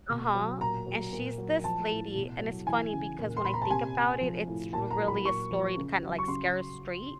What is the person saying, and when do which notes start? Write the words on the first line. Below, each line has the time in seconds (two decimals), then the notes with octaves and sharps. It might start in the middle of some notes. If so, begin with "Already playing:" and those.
Uh-huh, and she's this lady and it's funny because when I think about it, it's really a story to kinda, like, scare us straight.
0.10 B2
0.35 F#3
0.61 A#2 A#5
0.87 F#3
1.13 A#2
1.38 F#3
1.64 F3 A5
1.90 A2
2.15 B2
2.42 F#3
2.67 E3 G#5
2.93 C#3
3.19 A#2
3.37 C6
3.45 A#2 B5
3.54 A#5
3.62 A5
3.70 C3 G#5
3.96 C3
4.21 F3
4.48 A2
4.73 A#2 A5
4.91 A#5
5.00 F#3
5.08 B5
5.25 A#2 C#6
5.51 F3
5.77 C#3
6.03 F#3
6.19 C#6
6.27 C#3 C6